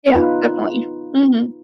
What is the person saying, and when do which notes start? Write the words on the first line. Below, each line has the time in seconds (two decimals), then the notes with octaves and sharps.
Yeah. Definitely. Mhm.
0.14 B3 D#4 F4 B4